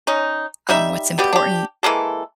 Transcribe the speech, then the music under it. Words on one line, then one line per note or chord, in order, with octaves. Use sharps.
um, what's important
C#4 D#4
G3 D#4 E5
B2 G3 B3 G4
D4 G4
E3 G#3 A#3 A4